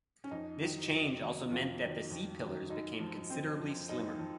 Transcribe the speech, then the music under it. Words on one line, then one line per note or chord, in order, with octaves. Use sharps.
This change also meant that the C-pillars became considerably slimmer.
C#4
F2 D#4
D#3 F#3
F2
D#3 F#3
F2 F4
D#3 F#3
F2
D#3 F#3
F#2 D#4
F3
F#2 C4
F3
F#2 D#4
F3